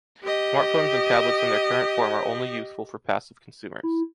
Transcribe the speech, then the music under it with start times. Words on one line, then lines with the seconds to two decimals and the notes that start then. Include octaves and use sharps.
Smartphones and tablets in their current form are only useful for passive consumers.
0.23 G4 D#5
3.83 E4